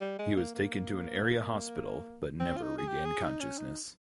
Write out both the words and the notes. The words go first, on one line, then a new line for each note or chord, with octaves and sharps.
He was taken to an area hospital but never regained consciousness.
G3
G#3
A#3
A#3
C4
F4
D#4
G#4
G4
G#4
D#4
C#4
D#4